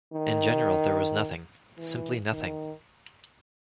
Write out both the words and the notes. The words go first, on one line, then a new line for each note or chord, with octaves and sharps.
In general there was nothing - simply nothing.
D#3
E3
D#3